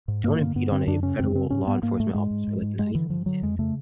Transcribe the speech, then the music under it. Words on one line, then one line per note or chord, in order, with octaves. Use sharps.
don't impede on a federal law enforcement officer like an ICE agent,
G#2
G2 A#3
D3
G2 B3
D3 C4
F#2 D4
C#3 C#4
F#2 C4
C#3 C4
G#2 C#4
G#2 B3
G#2 A#3
G#2 A3
G#2 G#3
G#2
G#2
G#2
G2 G#3
D3 E3
G2 F3
D3 F#3
F2 G#3
C#3 A3